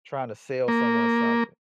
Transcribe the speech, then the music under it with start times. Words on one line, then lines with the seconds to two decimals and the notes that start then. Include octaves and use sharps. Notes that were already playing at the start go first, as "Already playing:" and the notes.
trying to sell someone something.
0.68 A#3